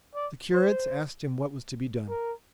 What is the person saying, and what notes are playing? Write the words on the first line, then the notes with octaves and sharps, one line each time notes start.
The curates asked him what was to be done.
D5
C5
A#4